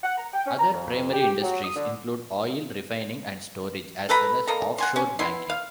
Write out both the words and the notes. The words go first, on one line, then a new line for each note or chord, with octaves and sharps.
Other primary industries include oil refining and storage, as well as offshore banking.
F#5
A#5
G5
C#4
A#5
F2
G4
F#3
D#6
D3
A4 B4 A#5 B5
A#3 A4 D#5 A#5
F#5 G#5 C6
C#4
B3 E4 C6
F5